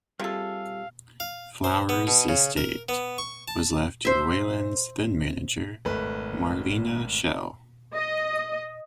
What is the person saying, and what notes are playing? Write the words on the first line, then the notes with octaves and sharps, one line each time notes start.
Flowers' estate was left to Wayland's then-manager, Marlena Shell.
C3 G3 F4 G#4 A4 F5
F5
C5
B3
B2
C#3
A#4
B3
C#6
A5
C5 E5
G#1 A3 B4
D#5